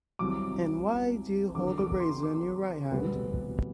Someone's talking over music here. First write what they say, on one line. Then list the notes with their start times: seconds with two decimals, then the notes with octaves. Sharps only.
And why do you hold a razor in your right hand?
0.19 C2 C3 F#3 D6
1.55 E2 D3 F#3 D6
1.78 D6
2.00 C6
2.23 D6
2.90 E1 D2 C3 G3 B3